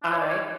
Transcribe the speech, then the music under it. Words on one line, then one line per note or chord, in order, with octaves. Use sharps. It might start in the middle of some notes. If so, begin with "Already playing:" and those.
All right.
D4
C#5
D5
C#5